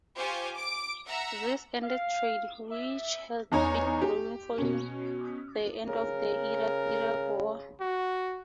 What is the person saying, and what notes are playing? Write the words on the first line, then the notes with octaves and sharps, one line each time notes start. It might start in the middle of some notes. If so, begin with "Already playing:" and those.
This ended trade, which had been growing following the end of the Iran-Iraq War.
F4 G4 C5 G#5 C#6
D6 D7
E5 F#5 A#5 E6
F5
E5
E2 D#4 C#5 A#5
G4
B2 C#4
C#3 A#4
F#4